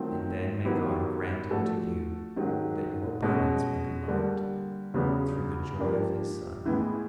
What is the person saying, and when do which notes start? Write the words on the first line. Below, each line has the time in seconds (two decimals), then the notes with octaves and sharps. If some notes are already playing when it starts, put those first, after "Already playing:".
And then may God grant unto you that your burdens may be light, through the joy of his Son.
Already playing: D#3 F#3 A3 C4 F4
0.65 D#3 F#3 B3 E4 G4
1.50 F3 A3 D4 F#4 A4
2.37 G#2 D#3 F#3
3.22 B2 G#3 C#4
4.08 D3 G3 A#3
4.94 E2 C#3 F#3 B3 D4
5.79 F3 A#3 D4 G4 A#4
6.65 A2 E3 G#3 B3